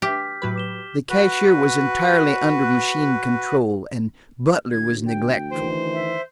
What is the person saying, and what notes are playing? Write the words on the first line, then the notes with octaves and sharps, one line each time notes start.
The cashier was entirely under machine control, and Butler was neglectful.
G4 F6 G6 B6
A2 F#3 B4
D6 E7 G7
F#4 B4
D2 G#6
G5
D#3 E3 C5
E5